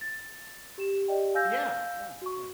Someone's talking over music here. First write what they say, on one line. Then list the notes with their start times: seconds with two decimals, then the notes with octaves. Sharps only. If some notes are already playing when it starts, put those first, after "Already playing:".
yeah! Yeah, yeah.
0.01 A6
0.78 G4 E7
1.08 G4 D5 D#5 G5
1.34 F5 G#5 E6 G6 A#6
2.21 F#4 C#6